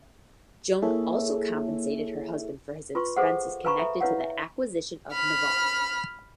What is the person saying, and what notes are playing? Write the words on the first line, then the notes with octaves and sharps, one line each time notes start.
Joan also compensated her husband for his expenses connected to the acquisition of Navarre.
A#3 E4 G#4 A4 C#5 E5
F4 B4 C6 C#6
G#4 A4 C5 F5 F#5
B4 F5 G#5 A#5 B5 C#6
A4 E5 A#5
E4 B4 C#5 F5 F#5
E5
B5 F6